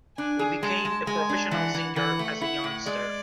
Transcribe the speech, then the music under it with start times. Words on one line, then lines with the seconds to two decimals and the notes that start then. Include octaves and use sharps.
He became a professional singer as a youngster.
0.17 D4 G#5
0.39 G#4
0.63 G#3 A5
0.85 G#3
1.07 G#3 G#5
1.29 D4
1.51 E3 F#5
1.74 E3
1.96 E3 F#5
2.19 A3
2.41 E4 F#5
2.64 A2
2.86 G#3 D5